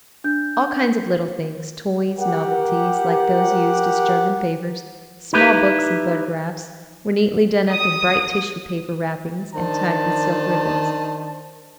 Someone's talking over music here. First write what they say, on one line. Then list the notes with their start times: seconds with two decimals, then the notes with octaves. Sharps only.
All kinds of little things--toys, novelties, like those used as German favors, small books and photographs, were neatly done up in bright tissue paper wrappings, and tied with silk ribbons.
0.24 D4 G6
2.19 G4 A#4 F#5
5.33 D#4 E4 G4 B4
7.70 D#6
9.54 D#3 D4 C5 A5